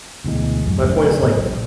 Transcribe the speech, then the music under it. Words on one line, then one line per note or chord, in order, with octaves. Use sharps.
my point is like,
D2 B2 E3 G#3
A1 F#2
F1 E3 F#3 C#4
A2 C3 B3
A#1 G3